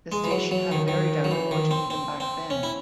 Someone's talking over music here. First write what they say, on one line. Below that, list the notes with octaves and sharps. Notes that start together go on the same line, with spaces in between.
The station had a varied output even back then.
G#3
E3
F#3
F#3
D#3
D#3
F#3
E3
D#3
C4
C4
C4
C#4
E4